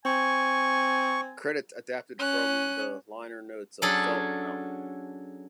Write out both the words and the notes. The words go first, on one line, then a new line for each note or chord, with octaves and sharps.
Credits adapted from the liner notes of "Felt Mountain".
C4 G#5 C#6
C#4 F#6
F#3 C#4 D4 G#4 A4